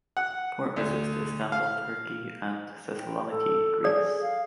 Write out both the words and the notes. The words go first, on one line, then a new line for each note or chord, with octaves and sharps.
Port visits to Istanbul, Turkey and Thessaloniki, Greece.
F#5
D2
F5
G5
A4
G#4 A4 D5
F5